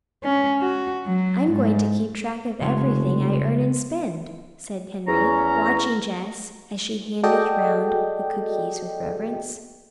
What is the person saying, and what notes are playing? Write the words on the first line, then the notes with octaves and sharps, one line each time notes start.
"I'm going to keep track of everything I earn and spend," said Henry, watching Jess as she handed around the cookies with reverence.
C#4
F#4
F#3
G#2
F1 C#3 G#3 C#5
E2 C#4 A#5
F#4 G#4 A4 D5 D#5 G5